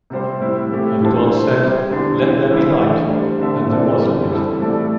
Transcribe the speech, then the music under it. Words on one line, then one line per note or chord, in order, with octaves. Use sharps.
And God said, 'Let there be light,' and there was light.
C3 G3 C4 G4 C5
A2 G3 C4 E4
A2 E3 A3 E4 G4
A2 G3 D4 A4 C5
A3 E4 C5 E5
G3 C4 G4 C5
E2 D3 G3 D4
E3 C4 E4
E3 G3 E4 C5 E5
A3 D4 G4
G3 D4 C5
D3 A3 C4 A4 E5
E3 C4 A4 D5
E2 D3 G3 E4
E3 G3 C4 A4
A2 A3 E4 A4 D5